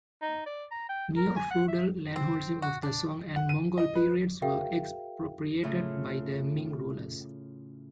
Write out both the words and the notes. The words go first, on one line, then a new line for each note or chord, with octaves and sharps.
Neo-feudal landholdings of the Song and Mongol periods were expropriated by the Ming rulers.
D#4
D5
A#5
G5
A#4
G#5
F#5
E5
C4
F#4
D4
F#5
D#7
D#5
B4
F#4 G#4 A#4 E5 F5 G5
A2 C#3 F4